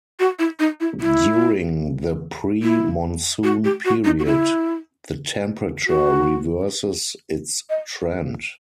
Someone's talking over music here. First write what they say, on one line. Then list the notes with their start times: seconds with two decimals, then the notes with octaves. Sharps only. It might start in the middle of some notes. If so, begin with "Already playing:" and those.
During the pre-monsoon period, the temperature reverses its trend.
0.20 F#4
0.39 E4
0.59 D#4
0.80 E4
1.01 E4
2.63 E4
3.44 F#4
3.64 G4
3.85 F#4
4.05 D#4
4.19 F#4
4.25 E4
5.87 F#4
7.70 D#5